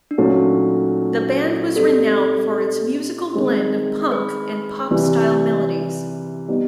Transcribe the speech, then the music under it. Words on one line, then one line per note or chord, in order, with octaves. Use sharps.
The band was renowned for its musical blend of punk and pop-style melodies.
D4
A#2 F#3 A3 C#4 D#4 F#4
G3 C4 D#4 A4
D#3 G#3 C4
B4
C3 E3 G3
G3 B3 D#4